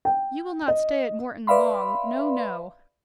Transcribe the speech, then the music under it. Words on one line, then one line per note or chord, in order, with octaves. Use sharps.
"You will not stay at Morton long: no, no!"
G5
D#5
B4 D5 E5 F5 B5 C6